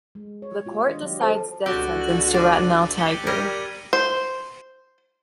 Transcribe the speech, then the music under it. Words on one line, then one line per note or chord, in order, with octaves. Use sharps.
The court decides death sentence to Ratanlal Tiger.
G#3
C#5
B3 F4 G4
D#3 D4 D#5
F#3 D4 G4
A4 C5 A5
C#2 D3 F#4 G4 E6 F#6 A6
F#7
D4 A6 D#7
G4 C#7 G7
G3 A#4 G#6 D#7 G7
C5